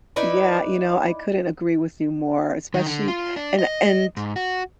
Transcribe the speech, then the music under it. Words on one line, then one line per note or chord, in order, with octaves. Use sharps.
Yeah, you know, I couldn't agree with you more, especially and and
D#4 E4 B4 D5
D#3
D3
F4
D4
D#5
G#2
F#4